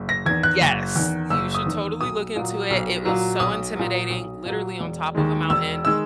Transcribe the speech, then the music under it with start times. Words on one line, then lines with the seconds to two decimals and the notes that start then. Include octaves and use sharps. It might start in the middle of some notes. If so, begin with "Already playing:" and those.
Yes. You should totally look into it. It was so intimidating, literally on top of a mountain,
Already playing: F#1
0.09 A#6
0.26 E2 G#6
0.29 D#3
0.43 F#6
0.61 F#1
0.95 E2 D#3
1.30 F#1 E6
1.55 D#6
1.66 E2 D#3
2.01 B1 D#6
2.36 A#2 F#3
2.70 B1
3.05 A#2 F#3
3.40 B1 D#6
3.75 A#2 F#3
4.10 B1
4.45 A#2 F#3
4.80 E1
5.15 D#2 D#3 G#3
5.50 E1 E6
5.85 D#3 G#3 E6